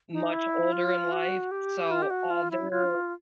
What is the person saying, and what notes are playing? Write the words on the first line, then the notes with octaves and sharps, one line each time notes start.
much older in life, so all their
D#4
E4
F4
F#4
G4
F4
G4
F#4
F4
E4
F4